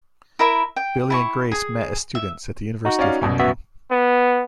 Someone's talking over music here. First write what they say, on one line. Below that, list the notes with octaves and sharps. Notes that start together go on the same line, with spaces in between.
Billy and Grace met as students at the University of Hong Kong.
E4 A#4 E5 B5
G5
E4 A5 C#6
G#4
E5
D#4 F#4
C#4 D5 F5
C2 F#2 B2
B3 F#4 E5
B3